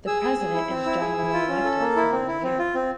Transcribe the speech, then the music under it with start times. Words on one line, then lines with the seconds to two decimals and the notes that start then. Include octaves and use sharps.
The president is generally elected for one year.
0.07 G#4 E6
0.22 G#4
0.39 G#4
0.54 E4
0.70 C4
0.86 E4
1.01 G#4
1.17 E4
1.33 F4
1.48 C#4
1.64 A4
1.80 A#3
1.96 E4
2.12 C4
2.28 E4
2.43 C4
2.59 F4
2.75 C4